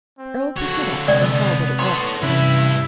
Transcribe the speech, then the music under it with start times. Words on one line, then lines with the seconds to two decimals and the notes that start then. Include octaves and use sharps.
Earle picked it up, and saw what it was.
0.18 C4
0.57 D3 F#4 C#5
1.08 C3 G#3 B3 D5
1.79 A4 C#5 C6
2.23 G2 C3 E3 C#4 E4 B4